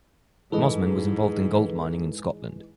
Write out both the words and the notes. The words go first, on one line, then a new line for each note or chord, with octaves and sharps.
Mosman was involved in gold mining in Scotland.
G#2 E3 G#3 A4 B4 D#5